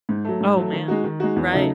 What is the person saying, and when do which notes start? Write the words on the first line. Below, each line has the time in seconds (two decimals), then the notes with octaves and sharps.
Oh, man. Right.
0.09 G#2
0.25 F#3 A3
0.40 G#2
0.57 F#3 A3
0.73 D#3
0.88 G#3 D#4 F#4
1.04 D#3
1.20 G#3 D#4 F#4
1.36 E2
1.52 C#3 F#3 A3 D#4